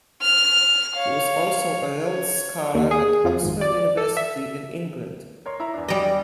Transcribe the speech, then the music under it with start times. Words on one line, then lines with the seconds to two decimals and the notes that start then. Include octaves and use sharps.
He was also a Rhodes Scholar at Oxford University in England.
0.22 F6
0.96 C#5 F5
2.00 C#5
2.74 D#2
2.91 G#4
3.24 F2
3.43 G#1
3.61 D5
3.97 A4
4.17 E5
5.46 A#4 C#5 C6
5.60 E4 A#5
5.74 E2 D4
5.88 G3 D5 D#5